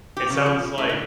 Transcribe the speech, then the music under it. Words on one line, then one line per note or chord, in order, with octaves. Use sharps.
it sounds like
G4
C#3
F3
C#4
A2
D3